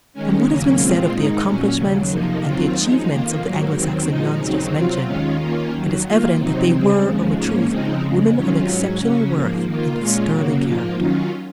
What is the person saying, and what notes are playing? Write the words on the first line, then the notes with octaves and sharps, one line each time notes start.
From what has been said of the accomplishments and achievements of the Anglo-Saxon nuns just mentioned, it is evident that they were, of a truth, women of exceptional worth and of sterling character.
D#3 G#3 C#4
D#2 C#3 F#3 A#3 C#4
A#2 G#3 C4 F4
G#2 D#3 G#3 D#4
A#2 F#3 C#4
D#2 C#3 F#3
F2 C3 F3 A#3 D#4
D#2 D#3 F#3 C4 F4
F#2 F3 G#3 D#4
F2 D#3 A#3 F4
G#2 F#3 A#3
D#2 D#3 F#3 C4
A#2 F3 G#3 D#4
D#2 C#3 F#3 C4 D#4
C3 F#3 C4 F4
D#2 D#3 G#3 C#4 F4
D#3 A#3 C#4 F4
D#2 D#3 F#3
D#3 A#3 F4
C3 F#3 C4 D#4
C#3 G#3 C4
D#2 C#3 F3 G#3
G#2 F3 A#3 C#4
C#3 F3 G#3 C4 D#4
F2 C#3 G#3
C3 D#3 F#3 C#4 F4
G#2 F#3 C#4
C#3 F#3 C#4
G#2 F3 A#3
D#3 A#3 F4
A#2 G#3 C#4 F4
F#2 C#3 F#3 A#3
G#2 F3 A#3 F4
D#3 F#3 C#4 F4